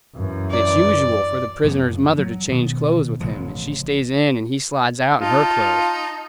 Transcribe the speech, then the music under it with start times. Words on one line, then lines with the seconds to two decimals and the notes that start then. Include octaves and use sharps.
And it's usual for the prisoner's mother to change clothes with him, and she stays in, and he slides out in her clothes.
0.15 F#2 E3
0.51 D5
1.64 F1 F#2 F3 B3
2.18 F#3
2.48 B2 D#3 B3
3.21 A1 C#3 F3
5.21 D#4 F4 A5